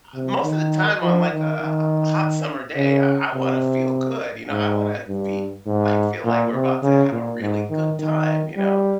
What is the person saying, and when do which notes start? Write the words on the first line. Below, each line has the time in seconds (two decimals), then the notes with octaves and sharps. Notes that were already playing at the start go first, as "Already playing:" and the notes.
ah, most of the time on, like, uh, uh, a hot summer day, I wanna feel good, you know, I wanna be like feel like we're about to have a really good time, you know,
0.14 C3
0.43 D#3
1.02 F3
1.31 D#3
1.60 D#3
2.76 C#3
3.34 C3
4.50 G#2
5.08 G2
5.66 G#2
6.24 A#2
6.53 C3
6.82 C#3
7.12 A#2
7.41 G#2
7.70 D#3
7.99 D#3
8.56 G3